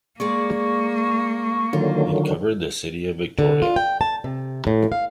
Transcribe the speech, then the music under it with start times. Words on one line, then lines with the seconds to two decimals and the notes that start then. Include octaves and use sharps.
It covered the City of Victoria.
0.20 G#3 A#3 G#4 D5 C#6
1.73 D3 D#3 F#3 F4
3.39 D3
3.62 F4
3.76 G5
4.01 A5
4.24 C3
4.67 A2
4.92 F5